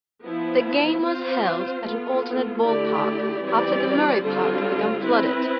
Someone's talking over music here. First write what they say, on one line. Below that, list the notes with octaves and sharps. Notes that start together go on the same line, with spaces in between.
The game was held at an alternate ballpark after the Murray park became flooded.
F3 B3 E4
C4 F4 C5
B3 F4 A4
D3 A3 E4 G4 D5
E3 G3 C4 G4 D5
D3 G3 C4 F4 A4
C4 E4 B4